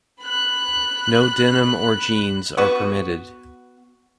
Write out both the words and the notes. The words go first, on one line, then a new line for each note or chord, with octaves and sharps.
No denim or jeans are permitted.
B5 F#6
B3 F#4